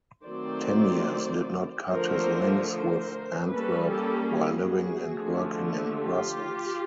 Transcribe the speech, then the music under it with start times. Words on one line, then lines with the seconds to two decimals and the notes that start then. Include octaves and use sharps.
Teniers did not cut his links with Antwerp while living and working in Brussels.
0.25 D#3 F#3 A3 C4 C5 D5
1.88 D3 F3 A3 A#4 C5
2.70 A#4 C5
3.51 G3 A#3 C#4 A4 B4
3.91 G4 A4
4.32 F#4 G#4
5.14 D3 F3 A3
5.95 F4 G4